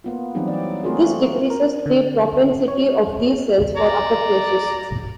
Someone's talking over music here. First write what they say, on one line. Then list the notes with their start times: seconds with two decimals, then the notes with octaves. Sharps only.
This decreases the propensity of these cells for apoptosis.
0.04 A#3 B3 F4
0.34 E3 F#3 G3 C4 D#4 G4
0.48 D5
0.84 A3 C4 F4 F#4 G#4 A#4
1.50 A#4
1.86 D3
2.68 C#5
3.77 D5 A#5